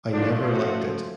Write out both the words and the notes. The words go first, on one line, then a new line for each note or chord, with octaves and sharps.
I never liked it.
F3 A3 C#4 D4
F#4